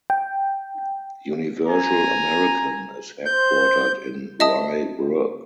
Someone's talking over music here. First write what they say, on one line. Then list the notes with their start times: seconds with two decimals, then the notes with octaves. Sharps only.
Universal American is headquartered in Rye Brook.
0.10 G5
1.68 G#5 A#5
3.26 C5 G6
4.40 D#5 E5 A5 D#6